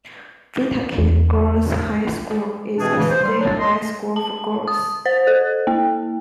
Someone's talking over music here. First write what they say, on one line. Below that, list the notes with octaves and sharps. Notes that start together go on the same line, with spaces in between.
Waitaki Girls' High School is a state high school for girls.
E2
B2 E3 A3 C4 D4 G#4
C#3 E3
C5
G3 C6
F#3 D4
D#5 C6
A5
D#6
C5
A4
A#3